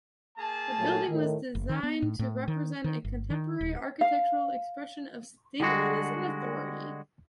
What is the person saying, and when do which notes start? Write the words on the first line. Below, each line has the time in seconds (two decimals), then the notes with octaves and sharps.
The building was designed to represent a contemporary architectural expression of stateliness and authority.
0.37 A#3 G#4 A5
0.79 A#2 F#3 A3
1.09 A2 D#3
1.55 F#1
1.69 D#3
1.83 B3
2.02 A2
2.19 A2
2.48 D#3
2.84 D#3
3.05 G1
3.30 D#3
3.61 D#1
4.01 F5
5.60 D3 G3 G#3 F#4